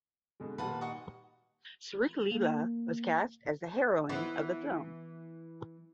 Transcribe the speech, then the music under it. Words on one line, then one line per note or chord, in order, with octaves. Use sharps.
Sree Leela was cast as the heroine of the film.
B2 D3 G#3
A#2 D#3 G3 B4 F#5 A5
F#4 D#5 F#5
A#3
E3 B3